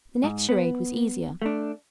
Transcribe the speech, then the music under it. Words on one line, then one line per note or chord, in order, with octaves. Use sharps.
The next charade was easier.
G#2
B3
A3 D4